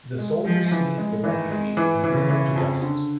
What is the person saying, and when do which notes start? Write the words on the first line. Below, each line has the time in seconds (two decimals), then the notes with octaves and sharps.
The soldiers seize the refugees and bring them to justice.
0.19 G#3
0.44 F3 G#3
0.72 E3
0.98 G#3
1.24 D#3 E3
1.50 G#3
1.77 E3
2.03 C#3 E3
2.30 E3
2.55 F2
2.82 D3